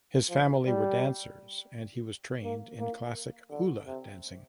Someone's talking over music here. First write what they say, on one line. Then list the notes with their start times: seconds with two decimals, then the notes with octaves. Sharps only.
His family were dancers and he was trained in classic hula dancing.
0.29 F3
0.65 G3
2.43 A#3
2.79 A#3
3.51 D3
3.87 C3